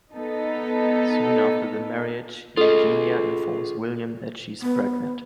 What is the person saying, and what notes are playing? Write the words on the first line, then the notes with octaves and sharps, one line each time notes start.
Soon after the marriage, Eugenia informs William that she is pregnant.
B3 D#4 A4
F4 G#4 A4 D#5
B3